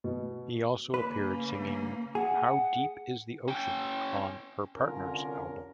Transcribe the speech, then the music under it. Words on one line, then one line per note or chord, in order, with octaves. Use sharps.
He also appeared singing "How Deep is the Ocean" on her "Partners" album.
B2
C#3 A#3 B4
G#4 F#5
C#4 G5
C2 D3 C#4 F4 A#4